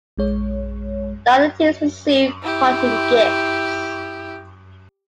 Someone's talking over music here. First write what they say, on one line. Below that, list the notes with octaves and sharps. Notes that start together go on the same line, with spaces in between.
The other teams received parting gifts.
A#1 G#3 C#5
E4 G4